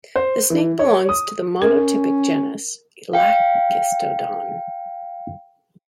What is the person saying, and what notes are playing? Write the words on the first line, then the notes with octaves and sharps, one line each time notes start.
The snake belongs to the monotypic genus "Elachistodon".
C5
E3
C#5
D#6
C#4 A#4
F5 G5